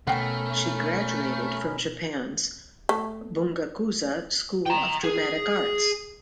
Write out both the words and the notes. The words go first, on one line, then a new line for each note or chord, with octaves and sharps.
She graduated from Japan's Bungakuza School of Dramatic Arts.
B2 A3 C#4 A#4 F#5 G5 B5
A3
G5 A#5
G#4